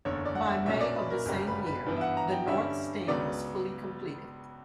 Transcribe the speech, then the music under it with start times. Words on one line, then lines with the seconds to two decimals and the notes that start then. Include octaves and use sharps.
By May of the same year the north stand was fully completed.
0.05 F#1 E2 D3 C#5
0.25 D5
0.35 F#5
0.46 E5
0.65 B1 A#2 F#3 C#4 E5
0.80 D5
0.95 B4
1.10 A#4
1.26 G1 F#2 C#3 G3
1.47 B4
1.66 B4
1.86 G2 E3 B3
1.96 E5
2.01 F#5
2.17 A#5
2.31 G5
2.47 G2 D3 G3 C#4 E5
3.07 C#2 C#3 F#3 B3 D5